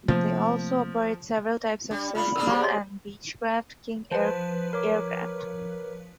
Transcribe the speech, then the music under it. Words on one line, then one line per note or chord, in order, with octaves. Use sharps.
They also operate several types of Cessna and Beechcraft King Air aircraft.
C3 F3 A3 A#3
G3 D4
C#3 D4 F4 B5
C#3 A#3 D4 A#4 D#6 F6
G4 G#4 C5 D5 C#6
C#5 D#5 C6
F3 B4 C5 A5
A#4 C#5 D6